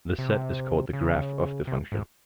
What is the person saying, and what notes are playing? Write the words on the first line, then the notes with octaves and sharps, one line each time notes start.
The set is called the "graph" of the function.
C3
C#3
C3
G#2